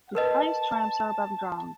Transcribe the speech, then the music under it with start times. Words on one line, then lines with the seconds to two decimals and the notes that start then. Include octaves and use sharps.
The highest ramps are above ground.
0.15 A#4 B4 D#5 A5